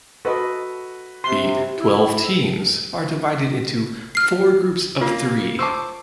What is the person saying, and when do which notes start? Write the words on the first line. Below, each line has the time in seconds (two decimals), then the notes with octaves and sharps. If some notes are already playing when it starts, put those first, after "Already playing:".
The twelve teams are divided into four groups of three.
0.25 F#4 A4 B4 D#5
1.24 C3 C6
1.79 E4
4.15 F6 C7
5.01 A#3 F4
5.59 C5 A5 C#6 D6 E6